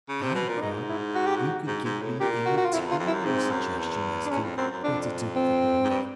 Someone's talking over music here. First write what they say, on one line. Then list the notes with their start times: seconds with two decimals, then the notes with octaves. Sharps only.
"I thought you could give me a material suggestion as to what to do with the boy."
0.09 C#3
0.22 C3
0.35 B2
0.48 A#2
0.57 D4
0.61 G#2 D#4
0.88 E4
1.15 F#4
1.26 G4
1.37 F#4
1.67 G#2
1.85 G#2
2.02 A2
2.20 A#2 G4
2.46 F#4
2.57 F#4
2.65 F4
2.73 F2 E4
2.86 E2 F4
2.99 F2
3.07 E4
3.12 F#2
3.25 G#2 C4
3.51 F#2
3.78 E2
4.25 D4
4.31 E2 C#4
4.44 F2
4.57 F#2 C4
4.71 F#2
4.84 F2 D4
5.36 C4
5.84 G#2
5.89 G2